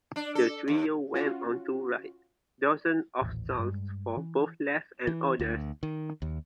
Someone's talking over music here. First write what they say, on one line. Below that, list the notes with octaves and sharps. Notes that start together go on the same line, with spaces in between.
The trio went on to write dozens of songs for both Leff and others.
D4
A4
D#2
C#4 F4 F#4
D#1 A1
G2 G#3
E3
E3
D2
D#3
D#2